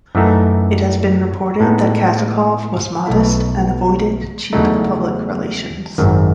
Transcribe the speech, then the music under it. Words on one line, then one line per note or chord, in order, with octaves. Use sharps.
It has been reported that Kazakov was modest and avoided cheap public relations.
F#2 E3 A3 D#4
A2 G#3 B3 D#4
B1 B2 A3 E4
E2 C#3 F#3 A3 D#4
G#1 F#2 D#3